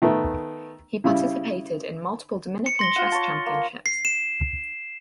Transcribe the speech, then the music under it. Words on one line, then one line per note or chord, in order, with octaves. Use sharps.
He participated in multiple Dominican Chess Championships.
D#3 A3 B3
C#3 G3 E4
C#7
C6 A#6 G7
F4 F#5
C#5 A5
A#3
C7
E7